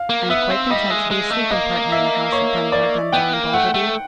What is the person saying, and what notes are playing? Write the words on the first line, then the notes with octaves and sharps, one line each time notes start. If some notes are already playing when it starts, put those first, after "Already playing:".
I am quite content to be a sleeping-partner in the house of Dunbar, Dunbar, and Balderby.
Already playing: F5
A#3
B3 E5
C4
G3 D#5
G#3
G#3
A3
A#3 D#5
E5
C#5
D5
B3 G5
A#3
A3 F#5
A3